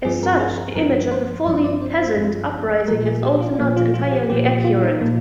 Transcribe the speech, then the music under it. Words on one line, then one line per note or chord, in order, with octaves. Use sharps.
As such, the image of a fully "peasant" uprising is also not entirely accurate.
G2 F3 C4 G#4
A#4
G#4
A#4
G2 F3 C4 A#4
C5
G2 F3 C4 D5
D5
C5
C5
G2 F3 C4
A#2 F3 A#3 A#4
G#4
G4
F4
A#2 F3 A#3
F4
F4
G4
A#2 F3 A#3 G4
G4
F4
D#4
A#2 F3 A#3